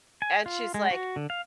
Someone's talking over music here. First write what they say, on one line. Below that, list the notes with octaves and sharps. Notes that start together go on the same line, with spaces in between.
And she's like
G#5
F4
G#3
F#4
D3
F5